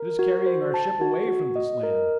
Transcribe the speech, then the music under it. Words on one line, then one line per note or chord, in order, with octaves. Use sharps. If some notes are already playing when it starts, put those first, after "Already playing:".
It is carrying our ship away from this land.
Already playing: A#4
F#4
C5
A5
F#4
F#4
D#5
A#4